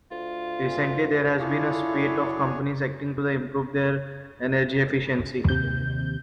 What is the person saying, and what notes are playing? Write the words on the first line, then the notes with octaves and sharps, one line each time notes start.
Recently there has been a spate of companies acting to improve their energy efficiency.
D2 F4
D4 E4 F4 G#4 A4 C#5
F#3
D#2 C3 G6